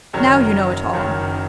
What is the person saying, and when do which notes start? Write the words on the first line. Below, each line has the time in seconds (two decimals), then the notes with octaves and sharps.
Now you know it all.
0.13 F#1 F#2 D#3 F#3
0.93 F#1 F#2 D#3 F#3